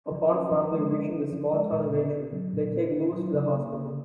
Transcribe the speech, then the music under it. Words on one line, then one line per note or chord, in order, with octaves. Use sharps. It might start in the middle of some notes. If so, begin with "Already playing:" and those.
Upon finally reaching the small town of Aintry, they take Lewis to the hospital.
F3
C#4
F3
G#3
F3
C#4
F3
G#3
A#2
B3
D4
F#3
A#2
B3
D4
F#3
C#3
A#3
C#3